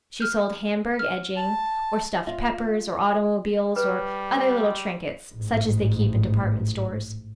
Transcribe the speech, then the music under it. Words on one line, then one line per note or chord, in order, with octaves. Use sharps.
She sold Hamburg edging, or stuffed peppers, or automobiles, or other little trinkets such as they keep in department stores.
F6 G6
F6
A5
F4 E5
G3 B4
A1 G#2